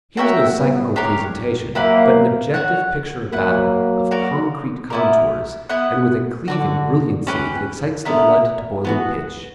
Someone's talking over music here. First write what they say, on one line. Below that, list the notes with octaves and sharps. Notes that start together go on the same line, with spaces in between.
Here is no psychical presentation, but an objective picture of battle, of concrete contours, and with a cleaving brilliancy that excites the blood to boiling pitch.
A#3 C#4 F#4 A#4 E5 G5
G3 B3
D4 G4 A#4 C#5
F#3 A#3 E4 G4 B4 F#5
F#4 C#5 F#5
F#3 A#3 E4 B4 F#5
F#4 A#4 D5
B3 E4 A#4
B3 E4 B4 F#5
D3 F#4 B4 D5
C#4 G4 B4
D3 B3 E4 A#4
E3 B3 D4 F#4